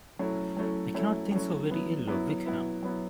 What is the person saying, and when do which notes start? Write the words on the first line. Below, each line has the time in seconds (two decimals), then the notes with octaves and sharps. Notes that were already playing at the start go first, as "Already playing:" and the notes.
I cannot think so very ill of Wickham.
0.19 F#3 A3 C#4 E4
0.57 F#3 A3 C#4 E4
0.94 F#3 A3 C#4 E4
1.32 F#3 A3 C#4 E4
1.70 F#3 B3 E4
2.07 F#3 B3 E4
2.45 F#3 B3 E4
2.83 F#3 B3 E4